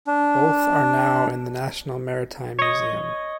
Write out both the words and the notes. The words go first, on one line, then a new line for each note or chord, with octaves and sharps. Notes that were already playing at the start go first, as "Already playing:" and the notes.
Both are now in the National Maritime Museum.
D4
C#5 D#5